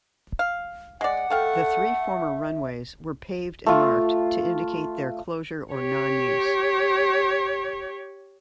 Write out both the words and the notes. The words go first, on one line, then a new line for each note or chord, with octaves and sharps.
The three former runways were paved and marked to indicate their closure or non-use.
F5
G#3 D5 F#5
A3 A4 F5 G5
E5
A3 F4
G4 C#5